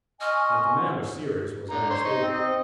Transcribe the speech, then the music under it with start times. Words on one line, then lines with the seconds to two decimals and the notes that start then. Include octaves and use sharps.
That the man was serious was unmistakable.
0.21 D#5 F#5 G#5 C6 C#6 F6
1.70 D3 A#5
1.90 C5 C#5
2.05 D#4
2.22 C4
2.34 D#5